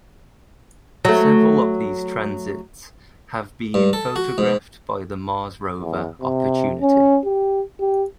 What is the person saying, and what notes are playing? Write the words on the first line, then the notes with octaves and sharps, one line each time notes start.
Several of these transits have been photographed by the Mars Rover "Opportunity".
F#3 A3
G2
A4
F#4
G#2
E2
C3
C#4
G4
G4